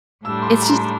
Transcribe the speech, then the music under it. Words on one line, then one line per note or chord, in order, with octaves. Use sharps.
it's just
A2 G3 D4 E6
C6
D6
A#5
C6